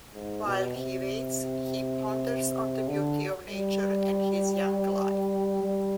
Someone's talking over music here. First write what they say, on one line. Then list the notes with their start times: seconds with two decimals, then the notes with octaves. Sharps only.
While he waits, he ponders on the beauty of nature and his young life.
0.14 G#2
0.45 B2
0.74 C3
2.88 D3
3.49 G3
5.62 G3